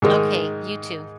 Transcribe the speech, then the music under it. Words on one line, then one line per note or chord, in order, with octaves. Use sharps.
Okay, you too.
G#2 D#3 G#3 D#4